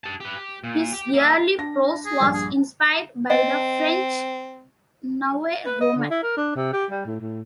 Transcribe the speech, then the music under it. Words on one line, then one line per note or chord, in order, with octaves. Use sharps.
His early prose was inspired by the French nouveau roman.
G4 A5
G4 B4
G4
A#2
G4
A#3 E5
D4 A#6
G#4
A#1 G2
G#4
C4 D#5
B4
D#5
D3
E4
A#4
D4
C3
G4
G3
A2
A2